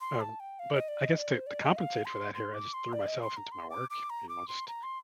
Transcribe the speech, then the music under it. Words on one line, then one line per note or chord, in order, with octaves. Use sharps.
Um, but, I guess to to compensate for that here I just threw myself into my work, you know, I just
C6
A5
G5
F5
D#5
D5
D#5
D5
C5
D5
D#5
F5
C6
C6
D6
C6
D5
D#5
C6
A#5
C6
D6
D6
A#5
D6
C6
A#5
C6